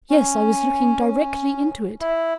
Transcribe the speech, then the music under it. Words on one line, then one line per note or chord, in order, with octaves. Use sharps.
"Yes, I was looking directly into it."
C#4
C#4
E4